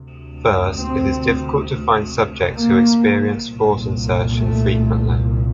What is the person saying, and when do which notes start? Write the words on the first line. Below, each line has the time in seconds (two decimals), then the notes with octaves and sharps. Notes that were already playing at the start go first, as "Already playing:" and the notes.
First, it is difficult to find subjects who experience thought insertion frequently.
Already playing: D2 C3
0.77 C4
2.56 A#3
3.46 C2 A#2
4.36 A3